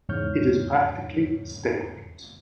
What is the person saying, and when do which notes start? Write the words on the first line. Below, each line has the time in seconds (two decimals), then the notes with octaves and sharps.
It is practically stalemate.
0.09 E2 G#2 C#3 C#5 F6 G6